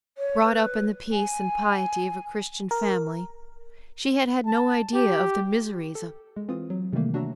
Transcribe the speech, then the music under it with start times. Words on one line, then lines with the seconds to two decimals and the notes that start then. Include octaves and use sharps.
Brought up in the peace and piety of a Christian family, she had had no idea of the miseries of paganism.
0.17 C#5
0.43 B4
1.12 G#5
2.71 A#4
4.46 A5
4.94 G4
5.95 A4
6.36 G#3
6.49 E3 C4 F4 D#6
6.70 F#3
6.93 C3 D#3 E3 G3 A3 A#3
7.14 D4 F#4 C#5 E5 A#5